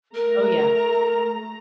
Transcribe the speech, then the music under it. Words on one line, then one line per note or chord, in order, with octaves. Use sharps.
Oh, yeah.
A3 A#4 A#5